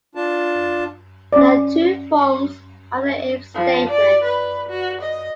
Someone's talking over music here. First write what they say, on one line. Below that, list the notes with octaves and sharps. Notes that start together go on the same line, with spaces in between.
There are two forms of the if statement.
D4 F4 A5
C#4 D5
F3
D5
B4
F#4
D#5